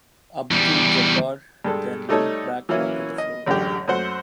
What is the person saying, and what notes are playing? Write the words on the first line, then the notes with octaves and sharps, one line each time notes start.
Abdul-Jabbar then limped back onto the floor.
E2 G3
G2 G#3 A4
G3 A3 D#4 A4 C#5 D#5
E3 F#3 A#3 C#4 E4
D#5
A1 F#2 D3 G#3 G4
F#2 A3 F#4 C5 F#5